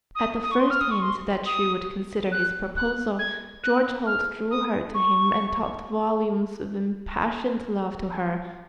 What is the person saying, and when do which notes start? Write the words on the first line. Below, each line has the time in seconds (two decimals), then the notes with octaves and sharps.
At the first hint that she would consider his proposal George Holt drew her to him and talked volumes of impassioned love to her.
0.15 D#6
0.43 D#6
0.51 C#6
0.58 C6
0.69 F6
0.80 D#6
0.91 C#6
1.01 C6
1.45 D#6
2.31 F#6
2.76 F#6
3.18 G#6
3.63 F#6
4.06 F6
4.50 D#6
4.94 C#6